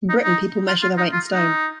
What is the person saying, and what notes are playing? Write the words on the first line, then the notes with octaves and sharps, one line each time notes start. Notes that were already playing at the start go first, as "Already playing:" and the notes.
In Britain people measure their weight in stone.
D#4
D#4
F4
F4
D#4
F4
D#4